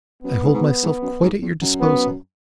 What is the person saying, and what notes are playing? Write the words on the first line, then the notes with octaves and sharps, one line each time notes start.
I hold myself quite at your disposal.
F#2 B3
G#2
G#2
B2
G#2
F#2
G#2
E2
F#2
B3